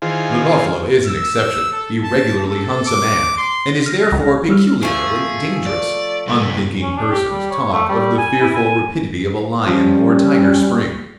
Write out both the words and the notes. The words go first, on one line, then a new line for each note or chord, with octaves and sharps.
The buffalo is an exception; he regularly hunts a man, and is therefore peculiarly dangerous. Unthinking persons talk of the fearful rapidity of a lion or tiger's spring.
D#3 E3 F4 G#4 C5
E6
A4
A5
A4
D6
C6
F6 A#6
C#2
G3 E6 F6
F3 A3 G#4
D5
C2 B3
C#4
D4
G4
G3
C#5
A3
G3
G#5
E4
G#5
F3 G3 C#4